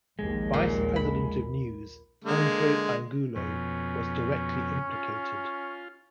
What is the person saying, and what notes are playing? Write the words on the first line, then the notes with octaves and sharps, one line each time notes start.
Vice President of News, Andres Angulo was directly implicated.
A#1 D#2 G#3
A#2
B5
D3 G#3 A#3
F2 B2 C#4
F4